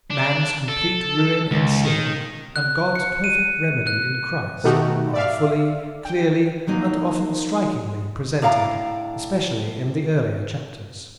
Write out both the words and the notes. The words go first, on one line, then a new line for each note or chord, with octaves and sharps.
Man's complete ruin in sin, and God's perfect remedy in Christ, are fully, clearly, and often strikingly, presented, especially in the earlier chapters.
D4
A4
C#2
D#3
F#6
C#7
D#7
F#6
B2 D#3 A3 D#4 F#4 G4
D5 E5 F5
G5
F3 F#3 A#3 D#4
A2 D4 F5 A#5